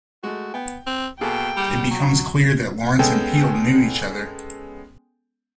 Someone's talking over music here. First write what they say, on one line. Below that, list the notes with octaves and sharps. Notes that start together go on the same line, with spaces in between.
It becomes clear that Lawrence and Peale knew each other.
G#3 A3 F#4
B3 G5
C4
B2 A#3 G#4 A4 G5
G3
F#3
G#3 B3 C#4 A4 G5 G#5